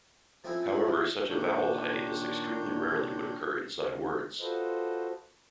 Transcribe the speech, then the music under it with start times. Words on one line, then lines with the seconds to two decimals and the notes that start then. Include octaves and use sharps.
However such a vowel hiatus extremely rarely would occur inside words.
0.44 F3 A3 C4 C#4 E4
1.29 A#2 D#3 D4 C#5 G6
3.66 D2
4.39 F4 F#4 A4 B4 C5 D#5